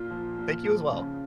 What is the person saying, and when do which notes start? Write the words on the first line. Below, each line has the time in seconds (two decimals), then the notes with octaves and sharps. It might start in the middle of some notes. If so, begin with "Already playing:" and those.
Thank you as well.
Already playing: A#2 F4
0.11 F3
0.38 A#2
0.65 F3
0.93 C#3